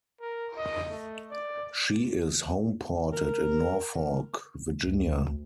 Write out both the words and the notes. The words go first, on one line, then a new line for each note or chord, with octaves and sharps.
She is homeported in Norfolk, Virginia.
A#4
D#5
A3
D5
A#4
D2